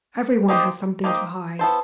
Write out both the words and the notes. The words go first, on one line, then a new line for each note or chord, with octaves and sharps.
Everyone has something to hide.
A#3 D#4 G4 C5 D#5
A#3 D#4 G4 C5 D#5
B3 E4 A4 C5